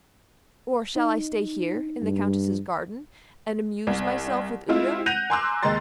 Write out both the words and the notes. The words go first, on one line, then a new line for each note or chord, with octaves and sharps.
Or shall I stay here, in the Countess's garden, and amuse myself with Udo?
D#4
G2
C2
G#3 C4 E4 F4
F#5 F#6 G6 A#6 D#7 F7
G#5 A#5 C6 D6 E6 F#6
D#2 G#3 A#5 C6 A6